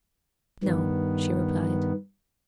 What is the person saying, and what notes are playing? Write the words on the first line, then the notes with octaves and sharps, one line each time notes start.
"No," she replied.
G2 D#3 B3